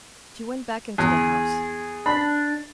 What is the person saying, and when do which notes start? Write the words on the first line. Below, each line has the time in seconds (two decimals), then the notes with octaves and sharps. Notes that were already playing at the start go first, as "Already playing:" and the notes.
She went back into the house.
0.98 E2 G#4
2.06 D4 B5